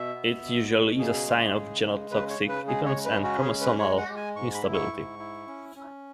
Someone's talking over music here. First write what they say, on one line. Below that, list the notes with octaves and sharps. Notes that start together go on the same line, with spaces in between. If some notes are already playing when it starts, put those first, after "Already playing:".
It usually is a sign of genotoxic events and chromosomal instability.
Already playing: B2 E5
B3
B2
B2
C#3 G#4
G#3
C#3
G#3
C#3 B4
C#5
C#3
B4
G#3 G#4
C#5
C#3
B4
C#4 F#4
G#4
G#3
B4
G#3 C#5
F#5
G#3
G#5
G#2 C#6
B5
E4
C#6
G#2
E4
C#4
C#4